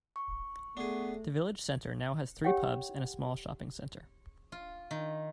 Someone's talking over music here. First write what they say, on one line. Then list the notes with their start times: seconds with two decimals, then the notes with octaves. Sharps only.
The village centre now has three pubs and a small shopping centre.
0.16 C#6
0.77 A3 B3 D4 G#4
2.44 G4 C#5 F#5 G5
4.52 F4
4.91 D#3